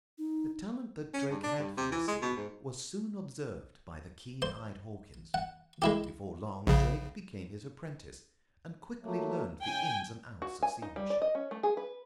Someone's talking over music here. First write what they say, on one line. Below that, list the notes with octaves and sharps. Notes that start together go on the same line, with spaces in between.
The talent that Drake had for the sea was soon observed by the keen-eyed Hawkins, and before long Drake became his apprentice, and quickly learned the ins and outs of seamanship.
D#4
C#4
G2
D4
G2
C3
E3
G#3
B2
G#2
C5
F#5
G#3 E4 G4
A#1 C#3
F#3 A3 A#3
C#3 G5 G#5
F#4
G#5
D#4
G3
D5
D#5
C#4
A3
G#4
B4